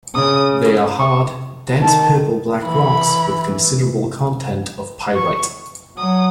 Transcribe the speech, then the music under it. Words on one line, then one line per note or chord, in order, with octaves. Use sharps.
They are hard, dense purple-black rocks with considerable content of pyrite.
C#3 D#6
C#6
D#3 A5
E3 B5
C#6
F#3 D#6